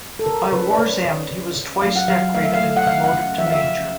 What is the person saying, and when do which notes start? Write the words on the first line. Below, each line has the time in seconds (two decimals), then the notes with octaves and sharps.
By war's end he was twice decorated and promoted to major.
0.19 A4
0.26 C#3 A#4
0.52 C#3 B4
0.70 D5
0.78 C#3 C#5
1.05 C#3
1.31 C#3
1.57 C#3
1.82 F#3 F5
1.96 F#5
2.08 F#3 F5
2.35 A3 F5
2.44 E5
2.54 F5
2.61 A3
2.76 F#5
2.87 C#3 F5
3.04 F#5
3.13 C#3
3.38 F3 E5
3.46 F5
3.52 E5
3.65 C#3